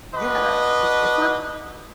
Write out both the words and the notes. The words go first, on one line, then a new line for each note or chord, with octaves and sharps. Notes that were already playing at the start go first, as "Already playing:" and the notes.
Yeah, 'cause if we’re
D4 F#4 B4 D#5